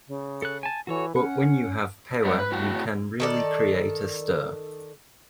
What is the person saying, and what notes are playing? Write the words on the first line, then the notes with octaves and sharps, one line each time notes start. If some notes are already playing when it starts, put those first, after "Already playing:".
But when you have power you can really create a stir.
C#3
A4 F#6
G#5 A5
E3 F#4 A4 C#5
C#4 F#5
F#3 G3 B4 C5 E5 F#5
B4
A2 F#4 G5
D#3 A4 D5